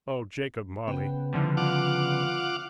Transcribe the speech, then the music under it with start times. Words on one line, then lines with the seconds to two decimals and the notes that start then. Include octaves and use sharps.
O Jacob Marley!
0.88 C#3 B3 C5 G5
1.33 D3 F3 G3 D#4 E4
1.57 F4 F5 F#5 D6